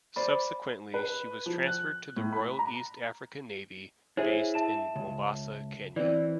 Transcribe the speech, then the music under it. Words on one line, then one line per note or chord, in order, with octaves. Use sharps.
Subsequently she was transferred to the Royal East African Navy, based in Mombasa, Kenya.
C5 D5 B5
B4
F3
F#6
A2
B5
A#5
E4 G#4 C5 C#5 E5
E5 A5 E7
C#2
E3 C4 D5